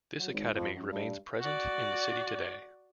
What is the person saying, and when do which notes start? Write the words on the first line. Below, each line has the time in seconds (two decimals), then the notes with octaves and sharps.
This academy remains present in the city today.
0.19 F#3
0.32 G#1
0.54 F2
0.74 F#2
0.91 G2
1.41 F#4 D5